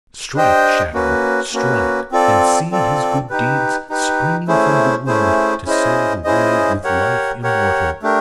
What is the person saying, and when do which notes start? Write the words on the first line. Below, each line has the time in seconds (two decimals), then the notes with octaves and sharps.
Strike, Shadow, strike! And see his good deeds springing from the wound, to sow the world with life immortal!
0.34 D4 G4 C5 D#5 G5
0.93 A#3 C#4 F#4 B4
1.53 A#3 C#4 F#4 B4
2.12 C4 F4 A4 D5
2.71 C4 F4 A4 D5
3.30 D#4 G4 B4
3.89 D#4 G4 B4
4.48 A3 C#4 E4 G#4 C5
5.06 A3 C#4 E4 G#4 C5
5.66 C#4 E4 G#4 C5 D#5
6.24 C#4 E4 G#4 C5 D#5
6.84 G4 A#4 C#5 F#5
7.42 G4 A#4 C#5 F#5
8.03 A3 D4 G4 A#4